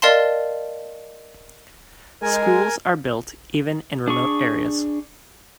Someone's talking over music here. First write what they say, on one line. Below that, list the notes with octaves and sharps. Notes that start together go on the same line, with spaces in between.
Schools are built even in remote areas.
A#4 D5 D#5 F5 A5 C6
G#3 A#4 G#5
D4 G#4 C#6